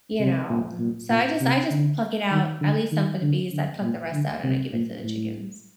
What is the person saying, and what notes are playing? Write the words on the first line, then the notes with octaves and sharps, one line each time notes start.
you know? So, I just I just pluck it out, I leave some for the bees. I pluck the rest out and I give it to the chickens.
C3
A#2
A#2
A#2
C3
D3
D#3
D3
D#3
D3
D3
A#2
D3
C3
A#2
A2